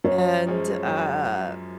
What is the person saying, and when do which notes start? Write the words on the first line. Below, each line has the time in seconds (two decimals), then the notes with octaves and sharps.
And, uh,
0.04 F#2 C#5
0.47 F3 G#3 C#4
0.88 F#2